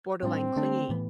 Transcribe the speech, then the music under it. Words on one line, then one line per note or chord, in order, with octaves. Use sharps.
borderline clingy?
A2 G3 C4 D4
D3 A3 D4
A2 E3 B3